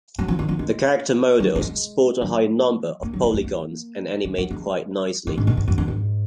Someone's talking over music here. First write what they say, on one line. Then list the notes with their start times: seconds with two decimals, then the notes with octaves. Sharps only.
The character models sport a high number of polygons and animate quite nicely.
0.19 F#3
0.28 F3
0.39 D#3
0.49 F3
0.59 G#3
1.40 F#3
1.55 F#3
1.61 G#3
2.21 F#3
3.03 A#3
3.13 F#3
3.23 G#3
3.34 G#3
3.44 A#3
4.25 G#3
4.38 F#3
4.51 G#3
5.27 G#3
5.38 G#2
5.47 A#2
5.57 G#2
5.68 F#2
5.78 F2
5.88 G#2